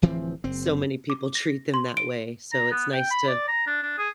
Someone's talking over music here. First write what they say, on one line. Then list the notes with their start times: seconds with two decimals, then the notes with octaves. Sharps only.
so many people treat them that way. So it's nice to,
0.02 D1 E3 F3 C4
0.44 F#1 C4
1.10 D6
1.35 A#6
1.74 C6
1.97 D7
2.52 A#5
2.71 B3
2.93 G5
3.11 B5
3.28 D5
3.48 A#5
3.67 D4
3.83 D4
3.98 G#4